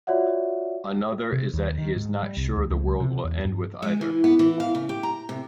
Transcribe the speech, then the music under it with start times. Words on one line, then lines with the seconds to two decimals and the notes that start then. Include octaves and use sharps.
Another is that he is not sure the world will end with either.
0.07 F4 F#4 C#5 D5 E5 F#5
1.32 C3
1.53 D#2
1.78 D#3
1.96 G#2
2.23 G3
2.37 C2
2.56 D2
2.71 C#2
3.00 C3
3.24 E2
3.45 G2
3.82 G#3
4.01 E3
4.24 B3
4.39 E3
4.60 F5
4.75 C#3
4.89 G4
5.03 A#5
5.29 C3